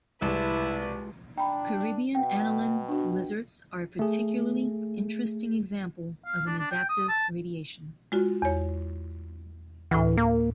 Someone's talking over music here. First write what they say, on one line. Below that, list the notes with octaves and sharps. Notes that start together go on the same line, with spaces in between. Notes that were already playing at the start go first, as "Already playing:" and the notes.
Caribbean anoline lizards are a particularly interesting example of an adaptive radiation.
C2 G#3 E4 F4 B4 A5
D4 G5 A#5 B5
B2 F#5 G5
D4 F#4
A3 G#4
F5
D4
D4
G5
D#6
A5
G#3 F4 F#4
E2 C#5
D2 A2 E3
A#3